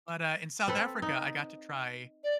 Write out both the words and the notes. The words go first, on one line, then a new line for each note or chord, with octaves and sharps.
But, uh, in South Africa, I got to try
C4 A4 B4
D#4
D5